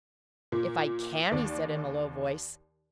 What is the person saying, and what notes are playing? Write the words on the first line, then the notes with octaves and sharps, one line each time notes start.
"If I CAN!" he said, in a low voice.
A#2
D#2 D5